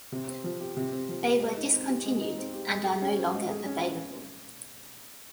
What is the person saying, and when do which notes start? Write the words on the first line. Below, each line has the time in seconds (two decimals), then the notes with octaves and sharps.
They were discontinued and are no longer available.
0.12 C3
0.28 C4
0.44 F3
0.60 G4
0.77 C3
0.92 C4
1.09 F3
1.25 G4
1.40 G#3
1.57 D#4
1.73 C4
1.89 G4
2.05 G#3
2.21 D#4
2.38 C4
2.54 G4
2.70 G#3
2.85 G#4
3.02 C#4
3.18 C5
3.34 G#3
3.50 G#4
3.66 C#4